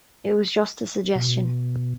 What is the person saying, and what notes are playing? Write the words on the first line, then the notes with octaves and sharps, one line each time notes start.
It was just a suggestion.
B2